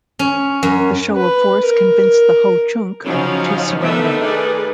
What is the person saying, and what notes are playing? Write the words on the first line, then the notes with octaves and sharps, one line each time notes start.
The show of force convinced the Ho-Chunk to surrender.
C#4
F#2
B4
A#4
C#3 F3 F#3 C#4 D#4 F5
D#3 A3 B3 D4 D#4 E5
G#4 B4 D5